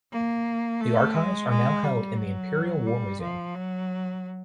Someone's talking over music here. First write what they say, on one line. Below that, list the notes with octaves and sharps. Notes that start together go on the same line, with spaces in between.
The archives are now held in the Imperial War Museum.
A#3
A3
G#3
G#3
G3
F#3
G3
F3
F#3